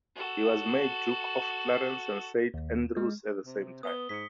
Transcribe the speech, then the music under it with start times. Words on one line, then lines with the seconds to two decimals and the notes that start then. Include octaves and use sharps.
He was made Duke of Clarence and Saint Andrews at the same time.
0.16 F#4 A4
2.54 D#2
2.97 G#3
3.46 C3
3.83 B3 D#6 G7
4.09 G#2 B6 C#7